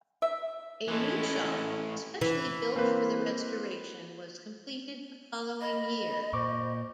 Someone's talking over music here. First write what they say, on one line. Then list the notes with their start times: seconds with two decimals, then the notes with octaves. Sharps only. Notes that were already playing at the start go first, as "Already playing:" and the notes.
A new shop, especially built for the restoration, was completed the following year.
0.22 E5
0.88 A2 E3 G#3 C#4 E4 A4
2.21 E3
2.76 A#3 C4 B4
5.61 D#5 B5
6.33 A#2 C5 C#6 D6